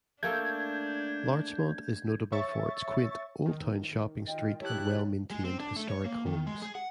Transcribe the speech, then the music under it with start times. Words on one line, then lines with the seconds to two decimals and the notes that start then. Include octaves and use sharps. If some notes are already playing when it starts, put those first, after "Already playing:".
Larchmont is notable for its quaint old-town shopping street and well-maintained historic homes.
0.23 A3 A#3 D4 A4 G6 G#6
2.32 C#5 E5 C#6 A6
3.46 D#3
4.27 F4 D#5 G5
4.61 E4 G4 C#5 A5 F#6
5.31 G#3
5.44 C4
5.60 D4
5.76 A3
5.89 C#5
6.05 A#3
6.26 D#3
6.47 G#3
6.62 G#4
6.75 F#5